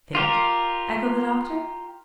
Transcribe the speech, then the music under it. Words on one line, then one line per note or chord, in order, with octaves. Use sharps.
"Fit?" echoed the doctor.
F4 G4 A#4